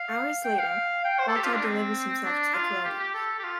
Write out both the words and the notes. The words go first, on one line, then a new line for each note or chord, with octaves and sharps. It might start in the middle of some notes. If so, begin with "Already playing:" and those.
Hours later, Baltar delivers himself to the Colonials.
Already playing: F5
G5
F5
G5
C5
A4
G4
F4
D4
C4
D4
F4
G4
G4
A4
G4
F4